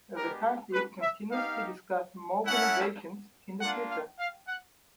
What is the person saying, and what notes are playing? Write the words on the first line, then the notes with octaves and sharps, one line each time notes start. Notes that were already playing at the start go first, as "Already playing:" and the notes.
The county continues to discuss more renovations in the future.
G#3 B3 D4 G4 A#4
B4
E5
B3 D#4 G4 F5
A3 C#4 E4 F#5
A#3 D4 F4 F#5
F5
F5
F#5